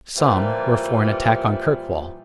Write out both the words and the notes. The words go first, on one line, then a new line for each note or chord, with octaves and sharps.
Some were for an attack on Kirkwall.
A#2 E3 F3 G3